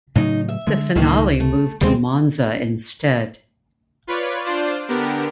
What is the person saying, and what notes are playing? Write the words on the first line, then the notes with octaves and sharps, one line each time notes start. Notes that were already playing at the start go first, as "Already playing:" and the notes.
The finale moved to Monza instead.
A2 C#3 F#3 D#4
E5
D3 G#3
C#2 A2 D#3 A#3
A3
D#2 C#3 G3 G#3 C4 C5
F4 B4 C#5 D5
D4 F4 C5 D5
D3 B3 D4 G4 A#4